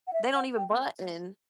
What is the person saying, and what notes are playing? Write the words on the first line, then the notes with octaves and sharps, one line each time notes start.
they don't even button."
F#5
E5
F#5
G5